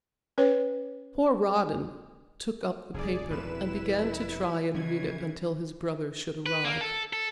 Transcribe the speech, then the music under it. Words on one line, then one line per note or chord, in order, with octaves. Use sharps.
Poor Rawdon took up the paper and began to try and read it until his brother should arrive.
C#4 B4 C#5
F1 D#2 G#4 D5
F1 B2 E4 B4 E7
C#3 E3 F3 C#4 G#6
B4
A#3
A4
A4